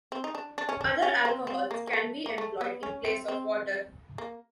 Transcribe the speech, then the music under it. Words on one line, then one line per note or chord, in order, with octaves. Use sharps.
Other alcohols can be employed in place of water.
C4
D#4
D4
D4
C#4
D4
C#4
C4
C4
A#3
A#3
A3
A#3
A3
B3
C#4
C4
C4
A#3